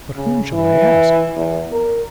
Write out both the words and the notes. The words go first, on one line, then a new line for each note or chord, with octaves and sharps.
But whom shall I ask?
C#3
E3
E2
A#4